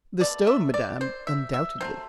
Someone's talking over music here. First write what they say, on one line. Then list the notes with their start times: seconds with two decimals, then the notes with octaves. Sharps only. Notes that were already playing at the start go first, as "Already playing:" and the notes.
"The stone, madam, undoubtedly."
0.20 B2 A3 D5
0.47 E5
0.74 D5
1.01 C5
1.27 E5
1.54 E5
1.81 C3 F#3 A3 C5